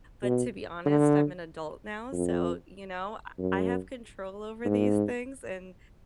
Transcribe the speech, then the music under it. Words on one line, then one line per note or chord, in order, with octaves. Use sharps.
but to be honest, I'm an adult now, so, you know, uh, I have control over these things and
B2
D3
F2
F#2
G#2